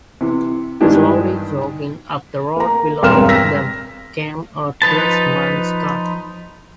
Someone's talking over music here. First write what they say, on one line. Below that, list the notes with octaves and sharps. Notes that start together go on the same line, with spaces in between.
Slowly jogging up the road below them came a tradesman's cart.
C3 E3
G2 D#3 E3 G#3 D4 G4
A#3 A#5
E1 G2 C4 A#4 F6 E7
E6 A#6 B6
F3 D#4 B4 A5